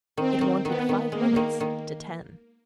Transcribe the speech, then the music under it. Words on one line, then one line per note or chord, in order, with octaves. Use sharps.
It wanted five minutes to ten.
D#3 C4
D#3
D#3 B3
D#3
G#3 A#3
D#3
D#3